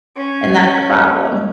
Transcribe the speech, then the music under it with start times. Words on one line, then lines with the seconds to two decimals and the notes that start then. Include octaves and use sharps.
and that's the problem.
0.16 C#4